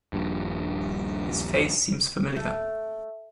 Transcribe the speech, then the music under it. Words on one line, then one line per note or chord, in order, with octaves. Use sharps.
His face seems familiar.
D#1 A#1 G2
A3